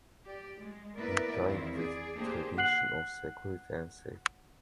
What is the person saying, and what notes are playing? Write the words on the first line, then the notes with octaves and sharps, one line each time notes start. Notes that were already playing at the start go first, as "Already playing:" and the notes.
Implying the tradition of Security and Safety.
G4 D5
G#3
A#3 B3 E4 A#4 B4 D5
E2 D#3 C4 E4 F4
G#4 D5
A#3 D4 G4 G#4 C5
F#5 F#6 C7 F#7